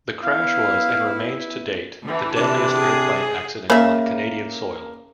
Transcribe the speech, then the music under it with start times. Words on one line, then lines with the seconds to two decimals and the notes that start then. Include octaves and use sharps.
The crash was and remains to date the deadliest airplane accident on Canadian soil.
0.24 B3 E4 F5
2.04 D3 E3
2.36 C3 D4
2.78 G#4
3.70 C#3 A#3 E5